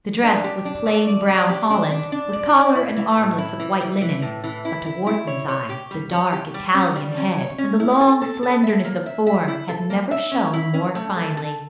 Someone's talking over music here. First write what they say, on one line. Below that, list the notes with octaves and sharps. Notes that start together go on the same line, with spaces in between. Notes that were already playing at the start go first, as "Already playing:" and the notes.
The dress was plain brown holland, with collar and armlets of white linen; but, to Wharton's eye, the dark Italian head, and the long slenderness of form had never shown more finely.
D4
G4
D4
A3
D5
D5
G4
D4
D4
D4
D5
D5
E4
E3
A2
E4
E3
E3
E3
A2
E3
E4
E4
E4
C#5
C#5
G4
G3
C#5
G4
G3
C#4
G3
C#4
C#5
C#4
E4
A4
A4
A4
E5
A#3
E5
E5
E4
A4
A#3
E5
C#4
E4
C#4
A3
A4
A4